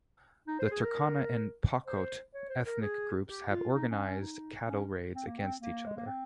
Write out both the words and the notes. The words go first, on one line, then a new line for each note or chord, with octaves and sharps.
The Turkana and Pokot ethnic groups have organized cattle raids against each other.
D#4
C5
G#4
A#4
C5
C#5
C5
A#4
G#4
G4
F4
D#4
C#4
C#4
D#4
C#4
C4
A#3
C4
A#3
G#3
A#3
C4